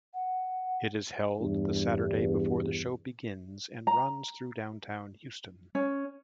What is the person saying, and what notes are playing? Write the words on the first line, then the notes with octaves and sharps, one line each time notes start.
It is held the Saturday before the show begins and runs through downtown Houston.
F#5
E2 G2
A#5
C#4